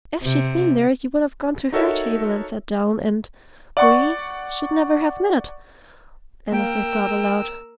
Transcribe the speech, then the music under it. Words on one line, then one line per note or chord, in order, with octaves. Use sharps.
"If she'd been there, you would have gone to her table and sat down, and we--should never have met!" Annesley thought aloud.
C3
D#4 F#4 A4 A#4 C#5 E5
D5 F#5 C#6
A#3 A#4 G5 E6